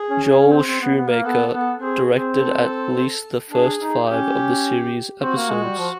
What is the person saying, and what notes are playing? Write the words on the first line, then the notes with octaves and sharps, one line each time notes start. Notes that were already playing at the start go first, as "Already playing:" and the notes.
Joel Schumaker directed at least the first five of the series' episodes.
Already playing: G#4
C#4
C#4
C#4
C4
C4
B3
B3
A#3
B3 A4
B3
C4 G#4
C4
A4
D4 G#4
D#4
C#4 G4
C4 F#4
A#3
G#3
G3
F3